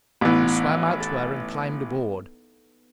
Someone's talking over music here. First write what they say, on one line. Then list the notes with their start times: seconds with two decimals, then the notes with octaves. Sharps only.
We swam out to her and climbed aboard.
0.21 A1 E3 B3 D#4
1.00 A4